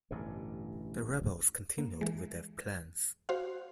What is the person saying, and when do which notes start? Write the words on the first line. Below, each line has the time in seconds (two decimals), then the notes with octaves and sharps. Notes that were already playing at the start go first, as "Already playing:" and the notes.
The rebels continued with their plans.
0.11 A1 G2 B2 D3
1.78 A#3
2.01 E3 G#3
3.29 F#4 C5 F5